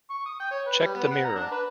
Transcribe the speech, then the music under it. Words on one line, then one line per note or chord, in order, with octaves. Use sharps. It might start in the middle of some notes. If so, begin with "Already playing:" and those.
Check the mirror.
C#6
D#6
G5
C#5
B4
G3
B3
F#5
A#5
D4
B4